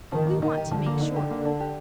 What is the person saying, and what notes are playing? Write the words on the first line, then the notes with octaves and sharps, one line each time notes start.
But we want to make sure.
D#3 F3
A#3
D#3 D#4
G4
D3 F3
A#3
D#4
G4
A#3
D4
G4